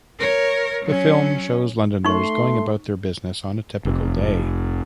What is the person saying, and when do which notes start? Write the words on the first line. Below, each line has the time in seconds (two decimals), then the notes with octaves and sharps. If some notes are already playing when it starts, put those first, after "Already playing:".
The film shows Londoners going about their business on a typical day.
0.19 A#4 C#5
0.85 F#3 C#4
2.05 A3 D#4 C6 C#6
3.85 F1